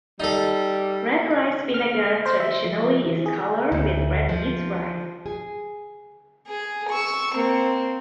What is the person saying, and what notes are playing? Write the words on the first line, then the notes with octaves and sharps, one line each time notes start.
Red rice vinegar traditionally is colored with red yeast rice.
G3 D#4 A4
F6
C5
E5
F3
E3
G#4
D2
F3
G#4
G#4
C#6 E6
A#3 C4